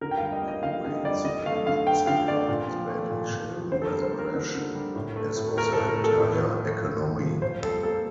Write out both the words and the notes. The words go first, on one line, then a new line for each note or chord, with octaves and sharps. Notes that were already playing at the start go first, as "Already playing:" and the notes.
Kuwait's financial sector was badly shaken by the crash, as was the entire economy.
D3 A#4
G5
F5
G3
D#5
A#3
D#5
D3 F5
D3 D#5
G3 D5
D3 D#5
A3 F5
D3 F5
A3 G5
D3 F5
A3 D5
A#2
F3
A3
A#2
A#2
F3
D3 C5
A4
A#4
G3
C5
A#3
A#4
D3
D3
G3
A2
A3
A2
A3 A#4
A2 A4
A#4
A3
A4
A2
F3
A3
A2
A2
F3
A#2 C5
G3 A4
A#3 A4